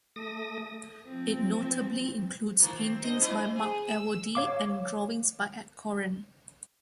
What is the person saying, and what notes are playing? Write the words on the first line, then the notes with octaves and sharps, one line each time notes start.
It notably includes paintings by Marc Awodey and drawings by Ed Koren.
A3 D#6 A#6
F3 C4
D#3 F3 A#3
C4
G2 C5 D#5
B3 E4 D#5
G#4
E6
C#5 F5 D6